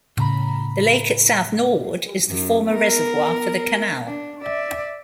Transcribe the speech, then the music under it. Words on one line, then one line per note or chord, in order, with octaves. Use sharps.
The lake at South Norwood is the former reservoir for the canal.
A2 C#3 A#5 B5
F#2
B3 A#4
D4
D5 E5